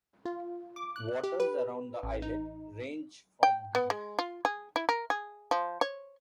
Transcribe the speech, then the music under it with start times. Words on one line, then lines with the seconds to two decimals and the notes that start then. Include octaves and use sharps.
Waters around the islet range from deep.
0.25 F4
0.76 D6
0.96 F#6
1.24 G4
1.40 B4
2.03 A1
2.22 D#4
3.43 G5
3.75 B3
3.90 G#3
4.19 F4
4.45 G#4
4.76 E4
4.89 A#4
5.10 G#4
5.51 F3
5.81 C#5